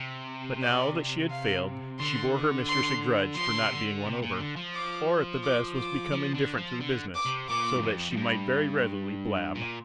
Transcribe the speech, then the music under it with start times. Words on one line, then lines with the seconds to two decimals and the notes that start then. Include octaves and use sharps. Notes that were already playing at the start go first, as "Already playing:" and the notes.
But now that she had failed she bore her mistress a grudge for not being won over, or at the best was become indifferent to the business, so that she might very readily blab.
Already playing: C3
0.62 D5
1.31 F5
1.99 D3 C6
2.68 C6
3.37 F3 C6
3.49 D3
3.61 C3
3.73 D3
4.06 C3
4.22 A#2
4.40 D3
4.56 F3
4.74 D6
5.43 D6
5.77 D6
6.12 F3
6.34 D3
6.57 F3
6.80 D3
7.15 D6
7.25 C3
7.49 A#2 D6
7.75 G2
7.83 F2
8.11 F2
8.17 G2
9.55 A#2